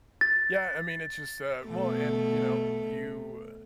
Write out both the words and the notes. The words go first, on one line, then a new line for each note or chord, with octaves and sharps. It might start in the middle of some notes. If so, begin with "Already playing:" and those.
Yeah, I mean, it's just, uh well and, you know, you uh
A6
B2 A3